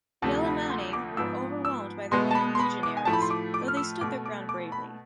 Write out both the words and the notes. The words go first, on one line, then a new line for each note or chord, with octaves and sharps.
The Alemanni were overwhelmed by the Roman legionaries, though they stood their ground bravely.
D2 C3 F3 A3 A5
B5
C6
D6
G#2 F3 B3 E6
E6
B2 G#3 B3 C6
A5
B5
C6
B5
D6
G#5
A2 F3 A3 A5
B5
C6
D6
D6
F6
E6
B2 A3 D6
D6
D6
B5